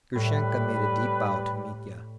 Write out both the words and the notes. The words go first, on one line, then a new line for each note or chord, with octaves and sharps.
Grushenka made a deep bow to Mitya.
A2 G3 B4